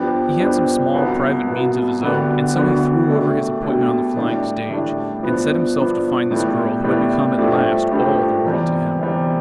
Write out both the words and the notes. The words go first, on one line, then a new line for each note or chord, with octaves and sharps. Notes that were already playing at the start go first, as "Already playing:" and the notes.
He had some small private means of his own, and so he threw over his appointment on the flying stage, and set himself to find this girl who had become at last all the world to him.
Already playing: G2 F3 B3 D4 G4
G2 F3 B3 D4 G4
C2 B2 B3
C2 B2 B3
D2 D3 G3 B3 D4
D2 D3 G3 B3 D4
B2 A3 D4 G4
B2 A3 D4 G4
A2 G3 D4
A2 G3 D4
G2 F3 B3 D4
G2 F3 B3 D4
A2 G3 B3
A2 G3 B3
G2 F3 A3 D4 G4
G2 F3 A3 D4 G4
E2 C3 G3
E2 C3 G3